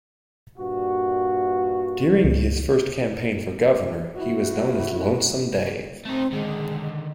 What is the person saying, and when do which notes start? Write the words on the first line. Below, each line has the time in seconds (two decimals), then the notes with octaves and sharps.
During his first campaign for governor, he was known as Lonesome Dave.
0.58 G2 A#2 F#4
2.24 C#2
4.15 E4 F#4
6.05 A3 C4 D#4
6.33 D3 D#3 G#3